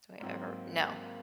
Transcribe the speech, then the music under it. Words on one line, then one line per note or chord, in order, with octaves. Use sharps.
Do I ever no.
G#2 F#3 A#3 C4